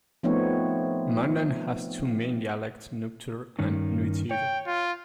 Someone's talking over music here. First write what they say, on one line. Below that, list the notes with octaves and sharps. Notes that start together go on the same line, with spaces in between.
Mandan has two main dialects: Nuptare and Nuetare.
F3 A3 B3 C4 D#4 C#5
G2 D#3 C#4
C#5 G5
F4